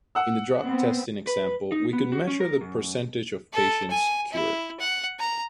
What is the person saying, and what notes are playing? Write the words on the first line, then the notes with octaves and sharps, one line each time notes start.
In the drug testing example, we could measure the percentage of patients cured.
F#5 E6
B3 C4
B4
D#4
B3
F#4
C#4
A#4
F#2
A4
G#5
E4
F#5
A#5